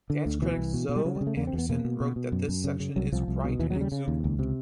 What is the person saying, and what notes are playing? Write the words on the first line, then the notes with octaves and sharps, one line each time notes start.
Dance critic Zoe Anderson wrote that this section is "bright and exuberant".
D3
D2
B2 E3
C2
B2
B2
G3
C#3 F#3
G3
C#3
A3
E2 A#3
C4
E2
B3
B2 A#3
B2
B2
B2
F#2
F#2
C#3
C#3
C2 F#3
C2 F3
C2
B2
D#2 E3
F#3
C#3
G3
C#3
D#2
C#2
C3